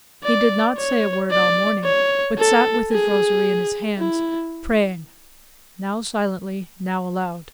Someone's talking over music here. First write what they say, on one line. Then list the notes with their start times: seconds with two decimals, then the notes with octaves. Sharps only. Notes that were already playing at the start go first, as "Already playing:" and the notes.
He did not say a word all morning, but sat with his rosary in his hands, praying, now silently, now aloud.
0.24 D5
0.78 C#5
1.31 D5
1.84 C#5
2.38 A4
2.91 G#4
3.98 E4